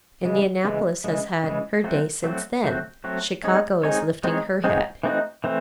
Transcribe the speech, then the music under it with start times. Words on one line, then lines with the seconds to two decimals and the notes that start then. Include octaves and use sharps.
Indianapolis has had her day since then, Chicago is lifting her head.
0.24 C#3 E3 G#3
0.64 C#3 E3 G#3
1.04 C#3 E3 G#3
1.43 C#3 E3 G#3
1.84 F#3 A3 C4 F#4
2.24 F#3 A3 C4 F#4
2.64 F#3 A3 C4 F#4
3.04 F#3 A3 C4 F#4
3.44 G#3 C4 D#4 G#4 C#5
3.83 G#3 C4 D#4 G#4 C#5
4.24 G#3 C4 D#4 G#4 C#5
4.64 G#3 C4 D#4 G#4 C#5
5.03 E3 A3 C4 D#4 F#4
5.44 E3 A3 C4